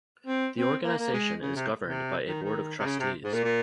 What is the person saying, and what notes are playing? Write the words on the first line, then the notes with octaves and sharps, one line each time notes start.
The organisation is governed by a board of trustees.
C4
C4
A#3
A#3
G#3
C#3
C3
C3
D#3
D#3
C3
C#3
C3
G#2
A#2
A#2